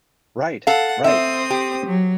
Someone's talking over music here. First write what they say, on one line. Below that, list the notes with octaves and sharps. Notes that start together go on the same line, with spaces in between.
Right, right.
A4 F5 F#5
C4 C5 E5 D#6
G4
F#3